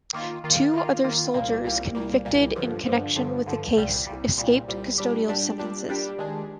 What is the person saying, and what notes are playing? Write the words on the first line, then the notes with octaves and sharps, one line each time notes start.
Two other soldiers convicted in connection with the case escaped custodial sentences.
D#3 A#3 F4
D#3 A#3 F4
D#3 A#3 F4
D#3 A#3 F4
C2 A#2 G3 A#3
C2 A#2 G3 A#3
C2 A#2 G3 A#3
C2 A#2 G3 A#3
G2 D3 F3
G2 D3 F3
G2 D3 F3
G2 D3 F3
C2 A#2 G3
C2 A#2 G3
C2 A#2 G3
C2 A#2 G3
A#2 G3 D4 G4
A#2 G3 D4 G4
A#2 G3 D4 G4
A#2 G3 D4 G4
D#3 G#3 D4 G#4